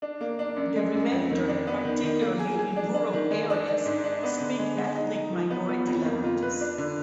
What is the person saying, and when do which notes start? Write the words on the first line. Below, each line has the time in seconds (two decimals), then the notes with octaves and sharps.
The remainder, particularly in rural areas, speak ethnic minority languages.
0.02 D4
0.21 A#3
0.39 D4
0.56 F#2
0.76 G#3
0.94 F#2
1.12 F2
1.31 D#3
1.48 D4
1.67 B3
1.85 D#3
2.04 D#3
2.21 A#3
2.39 G#4
2.59 G#4
2.76 D4
2.94 D4
3.13 D#3
3.31 G#3
3.50 D4
3.67 D4
3.86 G#2
4.04 D4
4.23 B3
4.40 D3
4.59 G#3
4.77 G#3
4.95 D#4
5.14 D#4
5.33 F3
5.50 B3
5.69 B3
5.87 F2
6.05 A#3
6.24 F4
6.42 B4
6.60 D4
6.78 D3